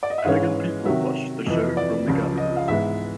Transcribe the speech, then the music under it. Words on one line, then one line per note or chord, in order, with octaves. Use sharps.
Elegant people watched the show from the galleries.
D5
D#5
E5
G#2 E3 G#3 C#4 F5
C3 D#3 F#3 E5
F2 C3 E3 D#5
D5
C#2 C#3 F3
D#5
F5
G#2 E3 G#3 B3 E5